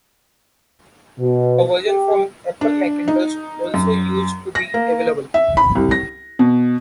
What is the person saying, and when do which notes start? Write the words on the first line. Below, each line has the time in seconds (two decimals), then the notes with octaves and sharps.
A version for Apple Macintosh also used to be available.
1.20 B2
1.87 G4
2.61 D4
3.08 D#4
3.74 F#2
4.55 A#6
4.74 A#3
5.34 E5
5.57 B5
5.75 C2
5.91 A#6
6.39 B2